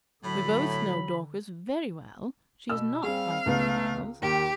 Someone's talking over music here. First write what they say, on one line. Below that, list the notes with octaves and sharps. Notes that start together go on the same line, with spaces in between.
We both know Dorcas very well; she is not like other girls.
A2 D3 F#3 B5
B2 E6
G3 C4 G#4 F5
C#2 A3 B3
D#2 D#3 G4